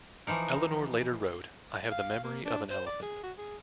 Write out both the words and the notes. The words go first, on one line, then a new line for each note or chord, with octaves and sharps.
Eleanor later wrote, I have the memory of an elephant.
E3 F3 D#4 A#4
F5
A#3
D4
C5
D5
G#4
F#4
G#4